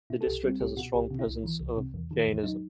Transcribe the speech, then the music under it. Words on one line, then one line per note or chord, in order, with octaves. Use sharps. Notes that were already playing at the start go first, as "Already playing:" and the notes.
The district has a strong presence of Jainism.
B2 E4
A4
C2 G4
G3 C4
C2 G4
B2 F#4
C2 G4
C3
E4
C2
E3
C2
C3
E2
D#3
E2
F#3 D#4